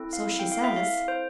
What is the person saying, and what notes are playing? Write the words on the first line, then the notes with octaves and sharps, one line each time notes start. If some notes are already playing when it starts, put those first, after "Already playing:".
"So she says."
Already playing: C4 E4 A4
F5
G5
F5
E5
F5
C5